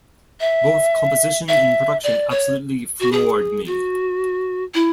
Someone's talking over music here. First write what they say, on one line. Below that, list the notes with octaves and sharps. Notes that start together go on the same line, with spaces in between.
Both composition and production absolutely floored me.
E5
E5
D5
C#5
F#4
G#4
F#4
E4